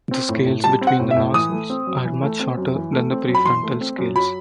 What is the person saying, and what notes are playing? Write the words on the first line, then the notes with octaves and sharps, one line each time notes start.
The scales between the nostrils are much shorter than the prefrontal scales.
C4
A2
A2
G3 A5
C4
F#5
A2
E5
A2
E3 D#6
A3
C4
F#2
E3
A3
C4
F#2
E3
A3
C4
F#2
B5
E3 C6
A3
C4
F#2
F#3 B5